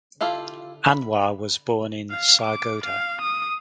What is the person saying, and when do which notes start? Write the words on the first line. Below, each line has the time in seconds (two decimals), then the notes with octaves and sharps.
Anwar was born in Sargodha.
0.21 E4 F4 G4 A4 F5
0.88 B5
2.10 F5
2.41 D6
2.85 F5
3.21 D#6